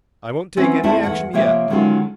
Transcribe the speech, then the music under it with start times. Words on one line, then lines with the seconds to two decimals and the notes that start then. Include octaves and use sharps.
I won't take any action yet.
0.57 E3 F#3 C4 C#4 E4
0.83 D#2 A3 C4 E4 D5 A5
1.03 E2 C#3 F#5
1.33 C3 F3 A#3 C#5 E5 G5
1.70 D3 D#3 F#3 G#3 C#4 F4